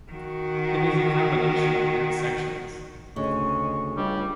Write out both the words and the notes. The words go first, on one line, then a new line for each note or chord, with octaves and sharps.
It is a combination of many sections.
D#3 F#4
D2 C#3 G#3 C#6
C#2 G2 G3